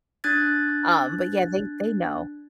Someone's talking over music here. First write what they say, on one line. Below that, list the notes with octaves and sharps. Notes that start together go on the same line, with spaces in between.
Um, but, yeah, they they know.
D4 F#6 G#6 A6